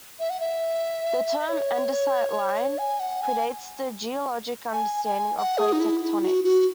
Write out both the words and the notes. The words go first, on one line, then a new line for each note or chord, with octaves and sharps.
The term "andesite line" predates the geologic understanding of plate tectonics.
E5
F#5
E5
C#5
G#5
F#5
G#5
G#5
G#5
F#5
G#4
D#4
E4
E4
F#4
F#4